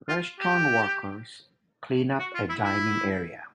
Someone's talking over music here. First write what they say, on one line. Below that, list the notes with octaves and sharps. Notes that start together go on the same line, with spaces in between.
Restaurant workers clean up a dining area.
F4
G4
F#4
F4
E4
E4